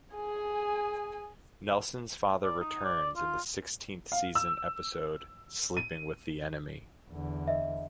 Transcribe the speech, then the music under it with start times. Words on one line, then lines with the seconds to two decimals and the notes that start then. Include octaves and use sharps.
Nelson's father returns in the sixteenth season episode "Sleeping with the Enemy".
0.15 G#4 G#5
2.43 D5
2.60 D#4
2.85 D5
3.16 F4
4.12 F5
4.35 E6
5.77 D#7
7.11 E2 D3
7.48 D#5 E5